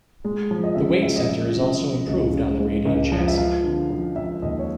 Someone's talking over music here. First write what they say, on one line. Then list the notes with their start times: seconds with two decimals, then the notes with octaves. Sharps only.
The weight center is also improved on the Radien chassis.
0.25 G#3
0.51 F3
0.64 D#5
0.75 C#3 E5
0.87 D#5
1.03 G#3 E5
1.16 D#5
1.29 F3 E5
1.55 C#3
1.81 F3
2.07 C#2
2.34 C#3
2.59 G#3
2.85 C#2
3.12 F3
3.28 E5
3.38 F3 F5
3.64 D3
3.90 F3
4.16 F3 E5
4.42 D#2 D#5
4.59 C#5